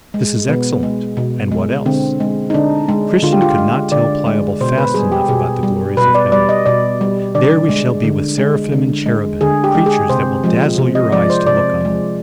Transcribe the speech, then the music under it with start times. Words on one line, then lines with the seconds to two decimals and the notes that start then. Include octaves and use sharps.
This is excellent; and what else?' Christian could not tell Pliable fast enough about the glories of heaven. 'There we shall be with seraphim and cherubim, creatures that will dazzle your eyes to look on them.
0.14 G#3
0.48 B2 B3
0.83 G#3
1.17 B2
1.52 G#3
1.86 D3 C4
2.20 G#3
2.50 D#4
2.54 D3 D4
2.89 G#3
3.23 D3 F4
3.32 G4
3.42 F4
3.58 G#3
3.92 D3 D5
4.26 G#3
4.61 B2 C5
4.78 B4
4.94 G3 G#4
5.12 G4
5.29 B2 G#4
5.63 G3
5.97 B2 B4
6.15 D5
6.32 G3 D5
6.49 D#5
6.66 B2 D5
7.01 G3
7.35 D3 D5
7.69 G#3
8.04 D3
8.38 G#3
8.72 D3
9.06 G#3
9.41 D3 G#4
9.64 G4
9.75 G#3
9.86 G#4
10.09 C3 C5
10.44 F3 G#3
10.78 C3
10.95 D#5
11.12 F3 G#3 D5
11.30 C5
11.46 C3 D5
11.81 F3 G#3